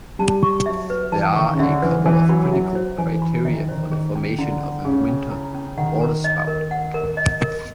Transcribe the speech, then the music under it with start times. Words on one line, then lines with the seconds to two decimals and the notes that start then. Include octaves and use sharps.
There are a couple of critical criteria for the formation of a winter waterspout.
0.19 G3 A5
0.43 C#6
0.66 F#3 E5
0.90 B4
1.12 E3 A5
1.36 D#3 C#6
1.53 C#3
1.59 D3 E5
1.82 E3 B4
2.06 E3 G#5
2.29 F#3 B5
2.52 F#3 E5
2.75 C5
2.98 E3 G#5
3.22 B5
3.45 D#3 E5
3.59 E3
3.69 D#3 C5
3.91 D#3 G#4
4.15 C#4
4.38 D3 E4
4.62 C#4
4.85 C#3 G#4
5.08 C#4
5.31 E4
5.55 C#4
5.78 D#3 F#5
6.01 A#4
6.24 D#5
6.47 A#4
6.71 F#5
6.94 A#4
7.17 D#5
7.41 A#4